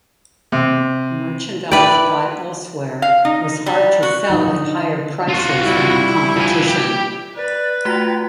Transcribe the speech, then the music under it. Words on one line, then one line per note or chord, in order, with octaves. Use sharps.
Merchandise bought elsewhere was hard to sell at higher prices than the competition.
C3
E4 B4 D5 G5
F5
D#4
G3
F#4
A#2 F3 F#3 D#4
D3
F4 F#4
G3 E4
F3 G#5
G4
B4 D5
A3 F4 F#4 F#5 G5 A#5 G#6 B6